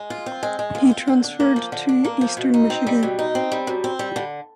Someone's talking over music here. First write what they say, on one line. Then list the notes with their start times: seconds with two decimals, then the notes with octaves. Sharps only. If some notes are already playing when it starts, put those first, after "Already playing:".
He transferred to Eastern Michigan.
Already playing: G#3
0.10 F4
0.26 C4
0.43 G#3
0.59 G#3
0.75 F4
0.91 C4
1.08 D3
1.24 D4
1.40 A#3
1.56 F3
1.72 D3
1.89 D4
2.04 A#3
2.21 F3
2.37 B2
2.54 D#4
2.70 C4
2.87 G3
3.03 B2
3.19 D#4
3.35 C4
3.52 G3
3.67 F#2
3.84 C4
3.99 G3
4.16 D3